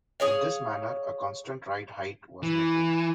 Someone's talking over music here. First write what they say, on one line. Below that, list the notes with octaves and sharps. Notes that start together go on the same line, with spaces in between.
In this manner, a constant ride height was maintained.
G#4 C#5 F5
E3